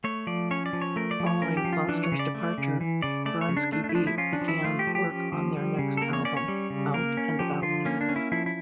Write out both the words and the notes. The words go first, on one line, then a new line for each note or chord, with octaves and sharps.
Following Foster's departure, Bronski Beat began work on their next album, "Out and About".
A3 C#5
F3 D5
C#4 C#5
D5
F3
C#5
A3 A#4
D5
F3
C#5
C#4 A#4
G4
F3
F4
E3 D4
C#5
C#3
D5
A3
C#3
E3
C#3 D5
A3 D5
C#5
C#3
D4
A3 D4
D4
E4
F3 D4
E4
C#4 F4
D4
F3
E4
A3 F4
G4
F3
G4
C#4
F3
G3
C#3
A4
A#3 A#4
C#5
C#4 D5
C#5
G3
C#3
A#3 A#4
C#4
F3 G4
D3 F4
A#3 C#4
D4
C#4
E4
F3 E4
E4